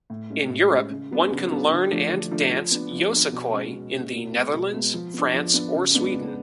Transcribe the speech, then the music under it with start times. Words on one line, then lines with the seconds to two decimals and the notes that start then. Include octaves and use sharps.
In Europe, one can learn and dance Yosakoi in the Netherlands, France or Sweden.
0.10 A2
0.30 G#3 C#4
0.50 A2
0.70 G#3 C#4
0.91 C#3
1.11 F#3 B3 D4
1.31 C#3
1.51 F#3 B3 D4
1.71 D3
1.91 F3 A3 D4
2.12 D3
2.31 F3 A3 D4
2.52 F3
2.71 B3 D4
2.92 F3
3.12 B3 D4
3.33 B2
3.53 G#3 C#4
3.73 B2
3.93 G#3 C#4
4.13 B2
4.33 G#3 B3
4.53 B2
4.74 G#3 B3
4.94 F3
5.14 B3 D4
5.34 F3
5.54 B3 D4
5.74 C#3
5.94 G#3 B3 D4
6.14 C#3